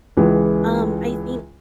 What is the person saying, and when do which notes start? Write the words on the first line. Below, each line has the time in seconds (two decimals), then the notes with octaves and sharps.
Um, I think
0.17 C#2 E3 G#3